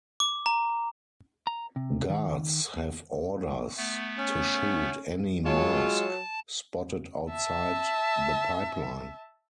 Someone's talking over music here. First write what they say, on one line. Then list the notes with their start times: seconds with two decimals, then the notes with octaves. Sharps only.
Guards have orders to shoot any "mask" spotted outside the Pipeline.
0.20 D6
0.46 A#5
1.47 A#5
1.76 C3
2.10 D#3
3.77 A3 B3
4.18 C#4
5.44 F#3 G#3 F4 C#5 A5
7.30 E5 A5